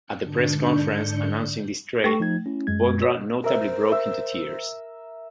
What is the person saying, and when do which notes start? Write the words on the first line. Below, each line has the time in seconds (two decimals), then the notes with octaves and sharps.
At the press conference announcing this trade, Bondra notably broke into tears.
0.22 G#2 D3 D4 G6 C#7
2.04 A3 A4 G5 C#6 A#6
2.20 F3 D#4 G#6
2.46 C#4 E4
2.67 F#2 G#3 G#6
3.02 F#4 C#5
3.44 A#4 C5 E5
3.92 E5